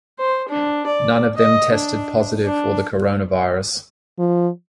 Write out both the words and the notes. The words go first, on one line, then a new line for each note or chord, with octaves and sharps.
None of them tested positive for the coronavirus.
C5
D4
D5
D#5
D4
D4
F3